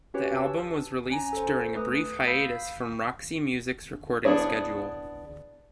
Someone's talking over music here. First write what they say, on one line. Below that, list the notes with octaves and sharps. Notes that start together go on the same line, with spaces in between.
The album was released during a brief hiatus from Roxy Music's recording schedule.
C#4 F#4 G4 B4 C#5
A5 E6
C#4 G#5 A#5
A4 C5
A3 B4 D#6
F5 B5 E6 G6 B6
B3 D4 E4 G#4 C#5